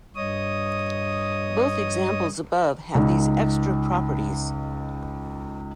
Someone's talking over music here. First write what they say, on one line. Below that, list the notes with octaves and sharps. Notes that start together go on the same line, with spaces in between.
Both examples above have these extra properties.
G2 C#5 D#5 D#6
C#2 D#4